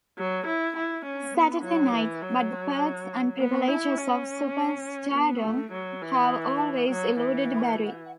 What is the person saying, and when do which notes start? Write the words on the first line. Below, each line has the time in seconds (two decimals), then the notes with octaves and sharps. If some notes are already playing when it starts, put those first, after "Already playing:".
Saturday Night, but the perks and privileges of superstardom have always eluded Barry.
0.18 F#3
0.47 E4
0.76 E4
1.05 C#4
1.34 B3
1.64 F#3
1.93 E3
2.22 F#3
3.39 B3
3.68 E4
3.98 C#4
5.14 B3
5.43 A3
5.72 F#3
6.02 E3
6.89 F#3
7.19 E3